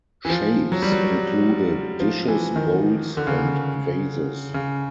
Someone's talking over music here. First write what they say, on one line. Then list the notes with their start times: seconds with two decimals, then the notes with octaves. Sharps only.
Shapes included dishes, bowls, and vases.
0.25 E3
0.30 F3
0.72 F#3
0.82 G3
0.92 F#3
2.00 F3
2.28 E3
2.56 D#3
3.17 D3
3.27 C#3
4.54 C#3